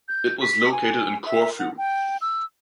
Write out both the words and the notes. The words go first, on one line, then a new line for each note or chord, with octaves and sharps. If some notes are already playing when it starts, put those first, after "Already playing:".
It was located in Corfu.
G6
B6
G#5
E5
F#5
G5
E6